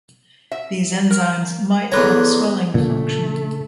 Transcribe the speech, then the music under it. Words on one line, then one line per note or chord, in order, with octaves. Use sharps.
These enzymes might have a swelling function.
E5
A#4
E2 D3 B4 C#5 A#5
A#2 C#3 A3 D4